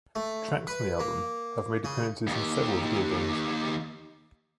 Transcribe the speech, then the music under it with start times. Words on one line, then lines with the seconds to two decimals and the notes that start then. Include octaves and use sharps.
Tracks from the album have made appearances in several video games.
0.16 A3
0.67 B4
1.00 A#3
1.84 C#3
2.27 D#2 G4